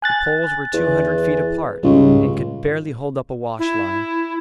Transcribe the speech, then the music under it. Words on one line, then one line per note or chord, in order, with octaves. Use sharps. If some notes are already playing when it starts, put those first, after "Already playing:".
The poles were two hundred feet apart and could barely hold up a wash-line.
G#5 F#6 A6
E2
C#2 G#2 C#3 G3
E4